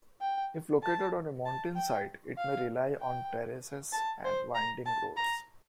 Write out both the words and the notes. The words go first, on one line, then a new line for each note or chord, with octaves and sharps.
If located on a mountainside, it may rely on terraces and winding roads.
G5
A5
A5
G5
F5
G5
A5
C5
A#5
A5
A#5